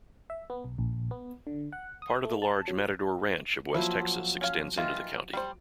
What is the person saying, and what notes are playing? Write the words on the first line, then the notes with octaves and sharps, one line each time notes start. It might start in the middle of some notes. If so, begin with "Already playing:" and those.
Part of the large Matador Ranch of West Texas extends into the county.
E5
B3
B1
A#1
B3
D3
F#5
D#6
A3
A5
F#3
F3 F#3 A#3 E4
C#4 F5
D#3 E3 F4
G3 C5